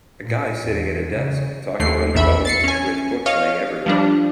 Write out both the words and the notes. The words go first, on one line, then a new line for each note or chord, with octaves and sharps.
A guy sitting at a desk talking on a phone with books laying everywhere.
A#2
E2
C#3
D#2 A3 C7
A#1 E2 E5 B5
A6 C7 C#7
C#4 G#5
C#5 D#5 F5
F3 G3 D4